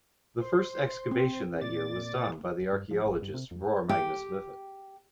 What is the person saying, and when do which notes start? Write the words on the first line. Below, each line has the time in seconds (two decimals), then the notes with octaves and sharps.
The first excavation that year was done by the Archaeologist Bror Magnus Vifot.
0.41 C5
1.11 C4
1.61 A#2 D5 A6
2.73 G2
2.91 F3
3.06 G#1
3.22 G2
3.34 C3
3.51 F2
3.89 G4